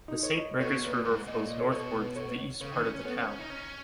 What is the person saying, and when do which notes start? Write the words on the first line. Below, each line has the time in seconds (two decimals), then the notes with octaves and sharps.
The Saint Regis River flows northward through the east part of the town.
0.08 D#4
0.23 C#5
0.38 D#5
0.60 B2 C#5
0.82 A#2 B4
1.05 G#2
1.27 A#2 D#5
1.38 C#5
1.49 D#5
1.60 C#5
1.72 B2 C#5
1.94 B4
2.16 C#5
2.61 C#3 C#5
2.72 D#3
2.83 C#4
2.94 C#4
3.05 B3 C#5
3.17 C#4
3.28 C#4
3.39 D#4
3.50 C#4